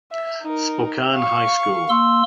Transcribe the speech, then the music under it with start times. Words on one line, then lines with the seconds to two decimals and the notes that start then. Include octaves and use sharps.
Spokane High School.
0.11 E5
0.42 D#4 A#4
1.14 F5 C#6
1.89 A#3 C6 E6